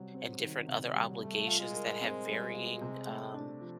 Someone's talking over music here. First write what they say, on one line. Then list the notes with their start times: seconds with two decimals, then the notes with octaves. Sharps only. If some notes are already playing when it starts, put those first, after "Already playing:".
and different other obligations that have varying, um,
Already playing: C3 F#3 G3
0.14 C4
0.41 D#3
0.67 C3
0.94 G3
1.21 G3 A3
1.47 F4
1.60 G#3
1.74 A#4
2.01 C4
2.28 G3
2.54 F4
2.81 C3
3.07 A3
3.34 D4
3.61 F3